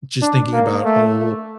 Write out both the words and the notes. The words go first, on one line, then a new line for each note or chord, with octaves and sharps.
just thinking about, oh,
D4
A#3
A3